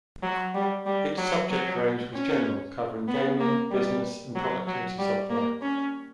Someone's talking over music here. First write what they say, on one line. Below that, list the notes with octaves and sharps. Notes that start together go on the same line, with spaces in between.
Its subject range was general, covering gaming, business, and productivity software.
F#3
G3
G3
F#3
F#3
C#4
B3
A#3
G3
F#3
F#3
G3
A#3
C#4